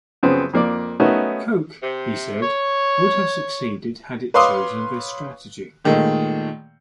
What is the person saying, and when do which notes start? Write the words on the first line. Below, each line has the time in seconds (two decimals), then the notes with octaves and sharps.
Coke, he said, would have succeeded had it chosen this strategy.
0.23 F#2 C#3 F3 B3 C4
0.53 F2 A#3 D5
1.00 A3 B3 C#4 D#4 F#4 A#4
1.83 C3
2.42 C#5
4.34 B4 C#5 F5 C6 D6 D#6
5.84 A#2 D#3 G#3 A3